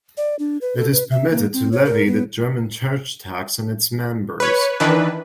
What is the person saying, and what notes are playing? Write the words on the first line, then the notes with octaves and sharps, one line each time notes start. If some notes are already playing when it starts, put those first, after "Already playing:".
It is permitted to levy the German church tax on its members.
D5
D4
B4
A4
B4
E5
A#3
C4
C#5
A#4
B3
B4 C#5
D#3 E3 D4 B4